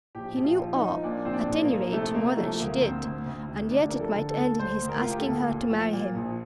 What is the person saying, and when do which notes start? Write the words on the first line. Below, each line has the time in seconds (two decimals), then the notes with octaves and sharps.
He knew all--at any rate, more than she did--and yet it might end in his asking her to marry him.
0.15 A#1 G4
0.36 A#1
0.44 F4
0.59 F3
0.74 D#4
0.81 F3
1.03 A#2 D4
1.25 A#1 C4
1.33 D4
1.48 A#1
1.63 A#3
1.70 A#1
1.92 C3 A3
2.15 C3 A#3
2.37 F3 A3
2.59 D2 A#3
2.81 D2 C4
3.04 D2
3.26 D2
3.48 C3
3.70 D2 D4
3.89 F3 A#4
4.00 A4
4.15 D3
4.30 A4
4.37 D2
4.59 D2 C5
4.81 D2
4.89 A#4
5.01 D2 F4
5.10 G4
5.18 A4
5.26 D2
5.48 A#2
5.71 F3
5.93 A#2
6.15 A#1